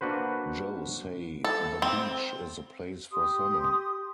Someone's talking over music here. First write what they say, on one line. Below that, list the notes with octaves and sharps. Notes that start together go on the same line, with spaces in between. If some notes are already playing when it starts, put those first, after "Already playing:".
Joe say The beach is the place for summer.
A#3 D4 F#4 B4 C5
A4
C4
G4 C6 D#6